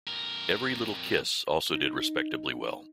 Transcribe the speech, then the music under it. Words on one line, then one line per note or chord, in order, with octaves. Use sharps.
"Every Little Kiss" also did respectably well.
F2 A#4
D#4